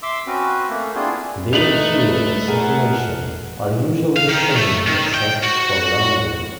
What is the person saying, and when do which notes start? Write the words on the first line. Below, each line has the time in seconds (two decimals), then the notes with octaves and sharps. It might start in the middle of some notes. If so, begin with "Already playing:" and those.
Their hue and saturation are usually the same except for rounding.
0.03 E5 C6 D6 E6
0.27 C4 C#4 F#4 B4
0.69 A3 A#3
0.95 B3 C4 D4 E4 F4 G#4
1.53 A3 D#4 B4 F7 F#7
2.48 A#2 G#4 A#4 F#5
4.16 F5
4.29 D#3
4.56 A3
4.86 D#3
5.14 G5
5.43 F#4